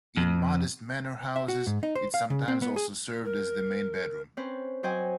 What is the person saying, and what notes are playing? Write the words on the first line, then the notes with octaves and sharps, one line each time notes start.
In modest manor houses it sometimes also served as the main bedroom.
F2
E5
F#4
G#2
D#4
C5
F5
C#3
C4
B3
G#4
A#4
C4 C#4 B4 C5
F#3 C5 D#5 G5 G#5